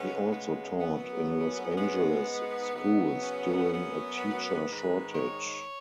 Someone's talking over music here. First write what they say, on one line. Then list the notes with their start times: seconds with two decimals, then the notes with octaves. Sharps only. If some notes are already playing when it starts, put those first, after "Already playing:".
He also taught in Los Angeles schools during a teacher shortage.
Already playing: C#3 G#3 B3 C#4
0.31 B3
0.79 F#2 F#3 B3
1.29 C#4
1.77 G#2 G#3 B3
2.25 D#4
2.73 C#3 F#3 B3
3.23 C#4
3.70 F#2 F#3 B3
4.18 B4
4.67 G#2 D#3 G#3
5.15 C#5